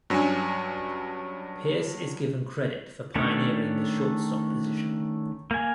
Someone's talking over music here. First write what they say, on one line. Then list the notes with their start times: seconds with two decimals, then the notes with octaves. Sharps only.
Pearce is given credit for pioneering the shortstop position.
0.10 G2 F#3 C#4 D4 G#5
3.15 D#3 A3 C#4 D4 C#5
5.51 A#3 G#5